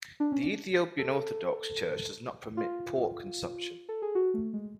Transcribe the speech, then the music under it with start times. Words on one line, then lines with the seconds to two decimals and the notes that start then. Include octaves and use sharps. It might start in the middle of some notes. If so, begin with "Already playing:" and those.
The Ethiopian Orthodox Church does not permit pork consumption.
0.20 D4
0.32 C#4
0.43 D4
0.99 A4
2.57 F4
3.89 A4
4.02 G#4
4.15 F#4
4.34 A3
4.53 G#3